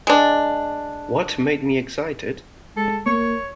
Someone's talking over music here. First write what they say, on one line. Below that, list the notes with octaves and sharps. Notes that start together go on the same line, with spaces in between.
What made me excited?
G#3 D4
G#3 A4
A#3 C#5